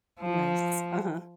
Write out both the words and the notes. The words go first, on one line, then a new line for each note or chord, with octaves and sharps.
Nice. Uh-huh.
F3